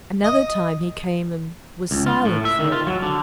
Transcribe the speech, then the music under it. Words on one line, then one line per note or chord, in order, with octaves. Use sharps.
Another time he came and was silent for a while.
D#5
C#2
F4
A2
E5
D#3
F4
F#3
D3